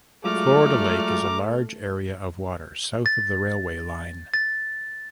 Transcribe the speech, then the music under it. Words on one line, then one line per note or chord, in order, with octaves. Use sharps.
Florida Lake is a large area of water south of the railway line.
F#3 G#3 A3 F4 D5 A#5 D6 F6
A6
A6